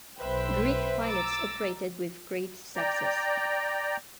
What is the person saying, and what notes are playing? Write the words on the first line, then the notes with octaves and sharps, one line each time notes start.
Greek pilots operated with great success.
B1 B4 C5 E5 G5
A#5 D6 E6 A6
D5 G5 A#5